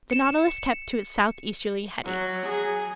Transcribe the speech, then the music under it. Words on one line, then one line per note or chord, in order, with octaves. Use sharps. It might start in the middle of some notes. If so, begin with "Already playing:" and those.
The Nautilus kept to its southeasterly heading.
C#7 E7
F#3
G#4